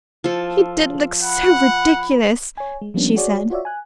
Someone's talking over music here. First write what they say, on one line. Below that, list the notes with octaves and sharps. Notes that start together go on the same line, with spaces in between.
"He did look so ridiculous," she said.
F3 A4
F#5 B5
C#5 G#5
G#3
F3 G3 A#3 B3 C#4 D4
F#4 G#4 C#5 D5
F4 F#4 C#5 D5 E5
G#5 F#6